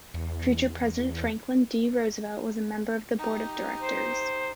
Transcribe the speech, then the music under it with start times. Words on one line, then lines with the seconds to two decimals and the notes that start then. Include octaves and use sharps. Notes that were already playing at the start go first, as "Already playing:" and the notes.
Future President Franklin D. Roosevelt was a member of the board of directors.
0.14 E2
3.19 D#4 G4
3.82 C5